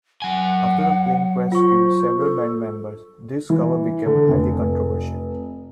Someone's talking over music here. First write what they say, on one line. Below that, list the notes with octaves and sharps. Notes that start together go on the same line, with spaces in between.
After the plane crash killed several band members, this cover became highly controversial.
F#3 F#5 G#5
F4 C5 C#6
A4
E3
D3
F1